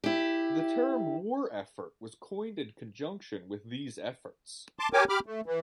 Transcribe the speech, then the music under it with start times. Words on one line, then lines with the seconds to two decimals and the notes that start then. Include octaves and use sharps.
The term "war effort" was coined in conjunction with these efforts.
0.04 E4 G4
4.79 A5 C6 D6
4.93 G4 A#4 C#5 G5 G#5 D6
5.09 G4 B5 D6 F6
5.26 A3
5.46 E3